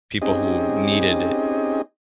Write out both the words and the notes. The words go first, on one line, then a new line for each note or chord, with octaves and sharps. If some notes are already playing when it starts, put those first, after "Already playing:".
people who needed it
C4 C#4 D#4 G4 G#4 D#5